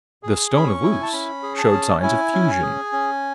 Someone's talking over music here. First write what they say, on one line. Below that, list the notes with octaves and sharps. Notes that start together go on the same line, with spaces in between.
The stone of Luce showed signs of fusion.
G#4
C#4 B5
C#6
E4
G#5
A5
C#4 B5
G#4
A5
C#4
E4 G#5
C#4
G#4
C#4